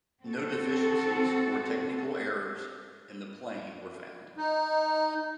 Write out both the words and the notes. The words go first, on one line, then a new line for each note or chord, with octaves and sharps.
No deficiencies or technical errors in the plane were found.
C4 F#4 A4
D#4